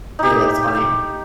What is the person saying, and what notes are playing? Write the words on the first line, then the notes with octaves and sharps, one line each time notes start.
Yeah, that's funny.
D#4 G4